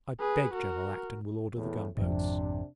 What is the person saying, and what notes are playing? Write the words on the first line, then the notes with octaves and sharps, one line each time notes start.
I beg General Acton will order the gun-boats.
G#4 B4
F#4 A#4
E2 A2
G#1 F2 C3 D4